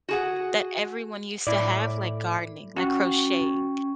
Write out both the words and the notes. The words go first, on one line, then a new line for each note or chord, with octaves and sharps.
that everyone used to have, like, gardening, like, crocheting,
F#4 G#4 F#5
A2 E4 D5
C#4 F#4 G5 C#6